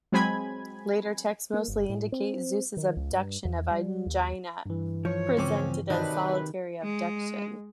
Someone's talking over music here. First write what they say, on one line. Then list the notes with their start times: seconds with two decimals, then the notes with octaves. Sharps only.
Later texts mostly indicate Zeus' abduction of Aegina, presented as a solitary abduction.
0.12 F#3 G#3 C4 G#5 B5 G#6
1.53 A#3
1.68 G1
1.89 A2
2.12 C4
2.77 D#3
2.96 C#2
3.11 G2
3.45 E2
3.71 G3
4.06 D#2
4.66 G2 E3
5.05 F3 C#5
5.37 C#2 F3 C4 C#4 D6
5.90 F#2 C3 D#3 D4 B4 D#5
6.83 G#3